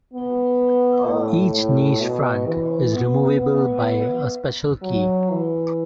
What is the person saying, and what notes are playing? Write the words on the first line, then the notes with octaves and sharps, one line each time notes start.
Each niche front is removable by a special key.
B3
A2
A2
B2
E3
B3
B3
F#3
E3